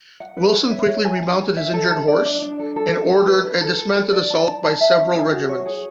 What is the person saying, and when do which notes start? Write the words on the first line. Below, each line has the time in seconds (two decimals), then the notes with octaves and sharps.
Wilson quickly remounted his injured horse and ordered a dismounted assault by several regiments.
0.20 F#5
0.37 B4
0.54 C#5
0.71 E5
0.88 C#5
1.05 G#5
1.22 G#5
1.40 C#5
1.57 E5
1.73 A4
1.91 A5
2.08 D5
2.25 D4
2.42 D4
2.59 A4
2.76 A4
2.93 A5
3.10 A5
3.27 B4
3.45 B4
3.61 A4
3.78 A4
3.96 D5
4.13 D5
4.30 A5
4.47 A5
4.64 A5
4.80 E5
4.98 C#4
5.15 G#4
5.32 F#4
5.49 C#5
5.66 G#4